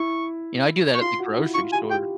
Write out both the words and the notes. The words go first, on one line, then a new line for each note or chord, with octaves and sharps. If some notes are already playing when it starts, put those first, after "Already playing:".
You know, I do that at the grocery store.
Already playing: E4 C#6
C#6
F4 C6
F#4
E4
F4 C#6
G4 G#5
G4 G5